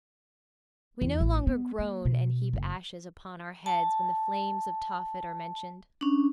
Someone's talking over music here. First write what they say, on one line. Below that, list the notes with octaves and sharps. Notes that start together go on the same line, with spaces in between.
We no longer groan and heap ashes upon our heads when the flames of Tophet are mentioned.
E2
A1
B3
A#3
B2
F#1
A5
C#4 D4